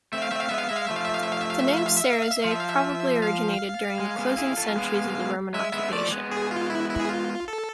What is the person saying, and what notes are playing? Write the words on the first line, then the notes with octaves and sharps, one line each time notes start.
The name "Cerizay" probably originated during the closing centuries of the Roman occupation.
A3 C4 E5
F5
A3 C4 E5
F5
G#3 B3 E5
F5
G#3 E5
F5
F3 A3 E5
F5
E5
F5
E5
F5
E5
F5
E5
F5
E5
F5
E5
F5
E5
F5
E5
F3 F5
E5
F5
E5
F5
G#3
G#3 B3
E4 G#4
F4 A4
G#3 B3
G#3 E5
G#3 B3 E5
G#3
F3 A3 D5
G#3 B3
G#4
F4
E4
E4
G#4
F4
A4